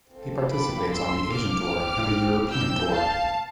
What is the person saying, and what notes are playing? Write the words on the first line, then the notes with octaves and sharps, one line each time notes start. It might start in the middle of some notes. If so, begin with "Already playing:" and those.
He participates on the Asian Tour and the European Tour.
C4 F4 A4
B5 D6
C6 E6
D6 F6
C4 G4
E6 G6
F5 A5